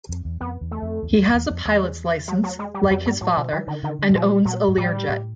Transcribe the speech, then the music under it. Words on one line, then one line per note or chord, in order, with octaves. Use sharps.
He has a pilot's license, like his father, and owns a Learjet.
F2
E2
F2 B3
E2
A3
F2
E2
F2
E2
F2
E2
F2
E2 G#3
F#3
F#3
G#3
G3
F#2
F2 G3
G2 G3
A2 F#3
B2 F3
D#3 E3
D3 D#3
D3 D#3
D3
A2
A#2 F3
A#2 F#3
G#2
A2 G3
A2